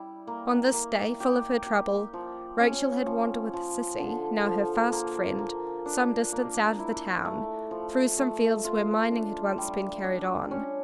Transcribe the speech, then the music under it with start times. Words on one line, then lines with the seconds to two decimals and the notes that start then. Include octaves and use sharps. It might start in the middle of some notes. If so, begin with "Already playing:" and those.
On this day, full of her trouble, Rachel had wandered with Sissy, now her fast friend, some distance out of the town, through some fields where mining had once been carried on.
Already playing: G3 E4
0.27 A#3
0.73 A#3
1.20 G4
1.66 G4
2.13 F3
2.59 C#4
3.06 F3
3.53 F3
3.99 D3
4.46 F3
4.92 A#3
5.39 A#3
5.86 D4
6.32 A#3
6.79 E4
7.25 A3
7.71 F3
8.18 A3
8.65 F4
9.11 D4
9.58 G3
10.04 D4
10.51 C#4